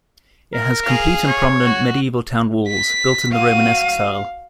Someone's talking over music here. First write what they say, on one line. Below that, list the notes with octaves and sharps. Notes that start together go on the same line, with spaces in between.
It has complete and prominent medieval town walls, built in the Romanesque style.
A#4
G#4 F5
C#5
F#4
B6
F#4 F5 D#7